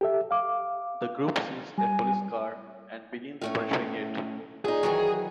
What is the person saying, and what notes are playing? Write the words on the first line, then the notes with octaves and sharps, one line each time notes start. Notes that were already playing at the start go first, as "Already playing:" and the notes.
The group sees a police car and begins pursuing it.
G4 A4 E5
F5 D6
G3 G#5
A2 A3 C#4
A#2 D#4 G#4
D#3 E3 F#3